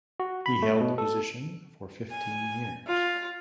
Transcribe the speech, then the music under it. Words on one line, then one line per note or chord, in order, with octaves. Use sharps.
He held the position for fifteen years.
F#4
B5
A3
B2
A4
G#5
F4